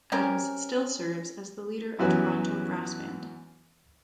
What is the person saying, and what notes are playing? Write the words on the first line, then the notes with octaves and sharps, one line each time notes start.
Adams still serves as the leader of Tornado Brass Band.
C4 C#4 G4 A#4
F#2 E3 F#3 B3 F#4